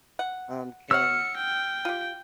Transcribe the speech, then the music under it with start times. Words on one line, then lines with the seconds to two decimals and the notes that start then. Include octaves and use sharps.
um, can
0.19 F#5
0.91 C#5 F#5 E6 F6 C#7
1.37 G5
1.85 F4 G4